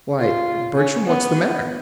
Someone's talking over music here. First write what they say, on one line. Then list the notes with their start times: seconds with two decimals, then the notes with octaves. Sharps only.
"Why, Bertram, what's the matter?"
0.19 F4
0.77 C#4
1.05 B3